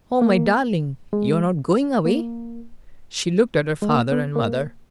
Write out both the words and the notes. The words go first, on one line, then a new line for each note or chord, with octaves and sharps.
"Oh, my darling, you're not going away!" She looked at her father and mother.
A#3
G#3
A#3
G#3
A#3
B3
A#3